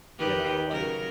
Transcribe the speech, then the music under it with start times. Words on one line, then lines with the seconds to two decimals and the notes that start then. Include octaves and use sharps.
You know, like
0.18 D#3 G4 B4
0.71 C#3 F#3 A#4